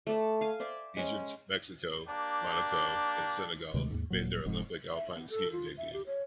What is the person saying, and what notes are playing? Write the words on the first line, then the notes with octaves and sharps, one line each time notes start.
Egypt, Mexico, Monaco and Senegal made their Olympic alpine skiing debuts.
A3 D5 A5
F5 G#5
C5 D5 E5
G#3 C#4
A#3 D4 G4
D2 C3 D#3 G#3
D#2 G#2
D#1 A#2 F#3
F1 F2 G#2
E5
B3
A4
F4
E5
G4
C#5